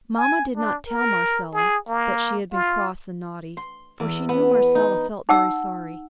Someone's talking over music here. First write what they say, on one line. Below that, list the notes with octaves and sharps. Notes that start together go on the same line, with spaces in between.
Mamma did not tell Marcella that she had been cross and naughty for she knew Marcella felt very sorry.
G#5
D4
A#4
G#4
A#3
F4
C6
E2
B3
D#4
D#4 F#5 E6